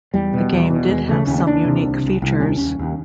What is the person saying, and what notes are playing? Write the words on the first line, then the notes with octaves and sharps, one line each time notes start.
The game did have some unique features.
E2 G3
B2
E2
B2
D#2 G#3
C#3 A3
D#2 C#4
C#4
D#2 D4
C3
C2
C2
C2
D#2 C#4
D4
D#2 C#4
D#2